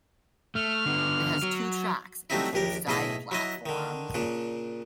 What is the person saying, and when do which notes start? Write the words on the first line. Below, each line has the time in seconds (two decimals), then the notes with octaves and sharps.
It has two tracks and two side platforms.
0.55 A3 F6
0.86 D3 B3
1.43 F#3
2.30 F#3 G3 A3 C4 D#4 E4
2.53 A#1 D#2 G4 A#4
2.87 B1 A2 E4 G#4 D#5 B5
3.31 F#3 E4 D#5
3.66 D3 D#3
4.14 A#2 C#3 D4